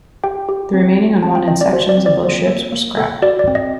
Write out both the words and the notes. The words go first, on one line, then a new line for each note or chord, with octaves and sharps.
The remaining unwanted sections of both ships were scrapped.
G4 G5
G4
C4
G4
C4 A5
G5
C4 D#5
D5
F#4 C5
D5
C4
D5
A#3 C5
A#3
A#3
A4
F#4 D5
D5
C4
D#5